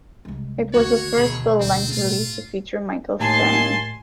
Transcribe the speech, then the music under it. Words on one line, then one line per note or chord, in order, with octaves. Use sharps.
It was the first full-length release to feature Mikael Stanne.
C2 G#3
D2 D#3 F#4 C#5
B2 G#4
D2 G#2 C4
A2 F4
D#2 A2 G#5 A5 C6